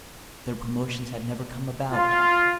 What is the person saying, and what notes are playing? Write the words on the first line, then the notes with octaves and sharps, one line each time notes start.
Their promotions had never come about.
F4